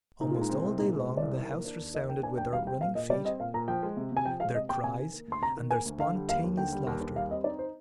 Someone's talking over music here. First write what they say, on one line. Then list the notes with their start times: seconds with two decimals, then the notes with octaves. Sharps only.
Almost all day long the house resounded with their running feet, their cries, and their spontaneous laughter.
0.21 A#2 D#4
0.31 G#3 F4
0.41 D#4
0.50 C4
0.64 C2
0.78 A#2 D#4
0.93 G#3 C5
1.08 C4
1.17 C2 D5
1.37 D#3
1.51 A#3
1.65 D4
1.80 D#2
1.94 D#3 D#5
2.09 A#3 G5
2.23 D4 G#5
2.38 D#2 G5
2.52 G3 F5
2.67 C4 G5
2.81 A#2 F5
2.95 A#2 D#5
3.10 G3 D5
3.24 C4 D#5
3.40 A#2 F5
3.54 A#2 A#5
3.68 F3 G5
3.83 G#3
3.97 C3
4.12 C3 G#5
4.25 F3 G5
4.40 G#3 F5
4.55 C3 D#5
4.69 C3 G5
4.84 C3 G#5
4.99 D#3
5.13 A#3
5.28 D2 C6
5.41 C3 A#5
5.57 D#3
5.71 A#3 G#5
5.85 D2
6.00 D3 F5
6.15 G3
6.29 D#2 F5
6.44 D#2
6.57 D3 G5
6.72 G3
6.87 D#2
7.01 D#2
7.15 G3 F5
7.30 C4 D#5
7.44 D#4 D5
7.59 C5